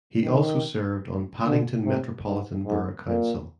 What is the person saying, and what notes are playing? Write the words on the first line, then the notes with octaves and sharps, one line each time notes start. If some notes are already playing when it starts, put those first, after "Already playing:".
He also served on Paddington Metropolitan Borough Council.
D#3
D3
C3
G#2
G#2
A#2